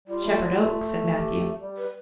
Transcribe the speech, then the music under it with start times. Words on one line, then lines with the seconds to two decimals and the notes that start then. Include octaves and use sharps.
"Shepherd Oak," said Matthew.
0.08 G3 F4
0.24 A3
0.42 G3
0.59 A3
1.10 G4
1.60 G3
1.77 B4